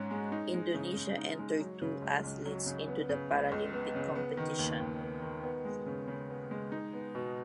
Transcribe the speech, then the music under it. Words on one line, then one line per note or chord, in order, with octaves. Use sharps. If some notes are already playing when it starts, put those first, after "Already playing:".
Indonesia entered two athletes into the Paralympic competition.
Already playing: G#2 G#3 C#4 F#4
G#3
D#4
G#3
C#3
C#3
D#4
G#3
F#3
C#3
C#2
C#2
F#3
C#3
B3
C#3
C#2
C#2
B3
C#3
B3
D#3
D#2
D#2
B3
D#3
B3
G#3
C#3
C#3
B3
G#3
D#4
B3
B2